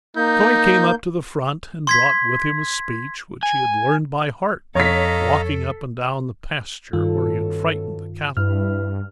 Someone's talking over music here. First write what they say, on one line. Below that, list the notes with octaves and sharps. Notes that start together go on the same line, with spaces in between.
So he came up to the front, and brought with him a speech which he had learned by heart walking up and down the pasture, where he had frightened the cattle.
A#3 D#4 G6
C6 G#6 B6
G#5
F2 A4 C#5 D#5 F5 A#5 B6
G2 B2 D#3 C#4 F4 A4
G2 E4 B4 F6